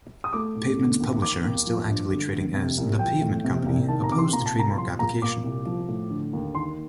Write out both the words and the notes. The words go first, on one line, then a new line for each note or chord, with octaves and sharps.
"Pavement"'s publisher, still actively trading as "The Pavement Company", oppose the trademark application.
D#6
A3 D6
A2
D3
D#2
D#3 D6
D#2
F3
G2
D3
D2
C3
C2
F3 G5
A2
C3
C2
D#3 A5
A#5
C3 D6
C6
A#2 A#5
A5
C2 A#5
F3 C6
A#2 A#5
A#2 D6
C2
F3
A2
D3
D#2
D#3 C6